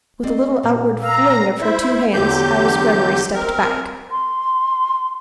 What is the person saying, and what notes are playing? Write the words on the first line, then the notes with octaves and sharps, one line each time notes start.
With a little outward fling of her two hands Alice Greggory stepped back.
C4 D5 D#5
A#2
F5 A#5 E6
E4 C5 E5
E2 D3 F#3 G4 G6
C4 A#4
C6